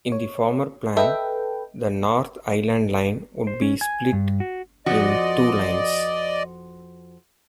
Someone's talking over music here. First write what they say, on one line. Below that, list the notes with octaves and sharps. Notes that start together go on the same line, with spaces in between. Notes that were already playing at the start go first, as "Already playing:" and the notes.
In the former plan, the North Island Line would be split in two lines.
C#5
A4 B4 D#5 E5 G5
C5
C#4
G#5
G2
F#4
F2 F3 F#4 D5 D#5